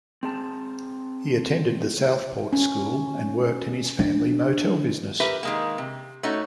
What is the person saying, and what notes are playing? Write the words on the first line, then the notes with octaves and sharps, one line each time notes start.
He attended The Southport School and worked in his family motel business.
C4 G#4 A5
C#4
D4
G4 A#4 B4 E5
D#3 G#3 A#3
C3
A3 C#4 D#4 F#4 C#5